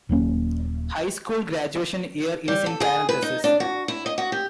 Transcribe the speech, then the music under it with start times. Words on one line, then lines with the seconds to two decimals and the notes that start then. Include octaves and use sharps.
High school graduation year is in parentheses.
0.09 D#1 F#3 A#3 C#4
2.48 G3
2.66 A4
2.80 G#4
3.09 B4
3.22 D#4
3.44 D4
3.60 F#4
3.88 E4
4.06 D#5
4.18 F#4
4.32 G4